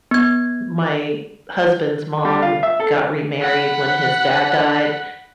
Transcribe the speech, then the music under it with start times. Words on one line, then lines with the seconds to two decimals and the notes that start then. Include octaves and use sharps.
my husband's mom got remarried when his dad died,
0.11 B3 G#6
2.25 G3
2.42 F4
2.63 E5
2.80 A4
3.41 F#5 B5